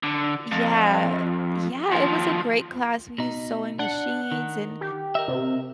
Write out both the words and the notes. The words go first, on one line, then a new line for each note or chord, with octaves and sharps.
Yeah, yeah, it was a great class, we used sewing machines and
D3
F2
D#2 F3
B2 D#4
D4 F#5
D#3
G4
A#4 D#5 E5
C3